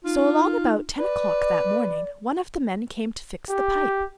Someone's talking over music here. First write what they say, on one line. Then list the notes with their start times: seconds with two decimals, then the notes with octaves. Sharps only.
So along about ten o'clock that morning one of the men came to fix the pipe.
0.04 D#4 F4
0.99 B4 D5
3.49 G4